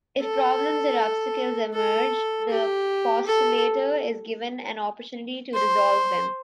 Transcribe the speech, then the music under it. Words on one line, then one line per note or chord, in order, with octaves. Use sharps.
If problems or obstacles emerge, the postulator is given an opportunity to resolve them.
A4
A4
G4
A4
C5